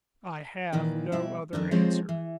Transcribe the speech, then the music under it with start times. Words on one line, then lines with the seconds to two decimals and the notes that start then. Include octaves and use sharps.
"I have no other answer."
0.73 A#2 D#3 E3
1.12 B2 G3 E4 E5
1.53 F2 G#2 D#3 D4
1.71 F3 G3 G#3 C4 F4 C#5
2.09 E3